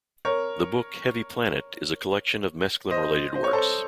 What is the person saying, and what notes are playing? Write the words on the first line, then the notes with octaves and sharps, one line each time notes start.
The book "Heavy Planet" is a collection of Mesklin-related works.
A#4 C#5
C5 D#5
C5
C#5
A4 C5